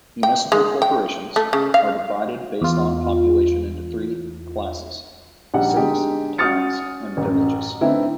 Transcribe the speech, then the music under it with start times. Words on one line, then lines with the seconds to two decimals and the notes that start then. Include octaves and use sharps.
Municipal corporations are divided based on population into three classes: cities, towns, and villages.
0.23 G5
0.52 G#3
0.82 G5
1.36 A3
1.53 C#3
1.74 F5
2.62 E2 F4
5.54 A#1 G3 D#4 F#5
5.76 D3 G#3 D#4 G4
6.38 C#4 F#4 D#6 F6 A6 C#7
7.17 A1 F#2
7.81 D3 A3 B3 C4 D#4 E4